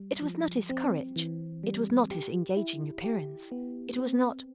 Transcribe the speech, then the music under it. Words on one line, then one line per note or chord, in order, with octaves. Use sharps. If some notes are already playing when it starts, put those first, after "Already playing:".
It was not his courage, it was not his engaging appearance, it was not--.
Already playing: G3
F3
C4
E3
G3
G4
E4
G4
B3
C4